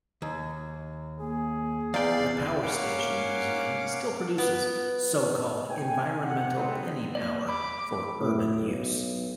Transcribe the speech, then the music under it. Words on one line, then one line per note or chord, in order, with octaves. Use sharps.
The Power Station Museum still produces so-called environmental penny power for urban use.
D#2
A#3 G#4
E2 D5 F5 G5
A#3 C#4 F5 F#5 D6
B3
G5 G#5
F2 F#5
D3 F#3 G#3 B3 C4
A#3 D5
B5 D6
A2
B1